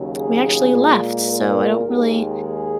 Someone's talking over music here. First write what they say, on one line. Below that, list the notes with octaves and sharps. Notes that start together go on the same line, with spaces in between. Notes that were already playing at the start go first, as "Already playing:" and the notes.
we actually left, so I don't really
Already playing: D#2 C#3 F#3
G#4
A#2 G#3
A#4
D#2 D#3 G#3
G#4